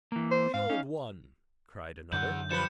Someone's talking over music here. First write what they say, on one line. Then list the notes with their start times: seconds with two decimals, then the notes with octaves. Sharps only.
"The old one," cried another.
0.12 E3 A#3
0.31 C5
0.54 G#2 F5
0.69 C#4 D#4
2.13 F#2 D3 E4 F#5 G6
2.51 F3 G3 B4 C#7 E7